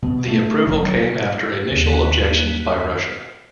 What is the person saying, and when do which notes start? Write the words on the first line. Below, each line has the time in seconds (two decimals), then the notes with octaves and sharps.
The approval came after initial objections by Russia.
0.02 B2
0.28 A3
0.66 F1
0.83 F#3
1.70 D#2 F#6 B6